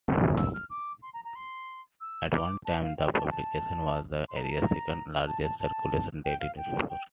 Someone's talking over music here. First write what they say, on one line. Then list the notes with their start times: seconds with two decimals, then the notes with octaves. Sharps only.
At one time the publication was the area's second largest circulating daily newspaper.
0.37 E6
0.53 F6
0.69 D6
1.02 C6
1.13 A#5
1.24 A#5
1.35 C6
2.00 E6
2.33 D6
2.65 A5
2.82 F5
2.97 G5
3.14 A5
3.24 G5
3.30 A5
4.28 C6
4.36 A#5
4.43 A5
4.50 A#5
5.26 A5
5.43 A5
5.59 A5
6.24 G5
6.39 F5
6.57 G5
6.89 G5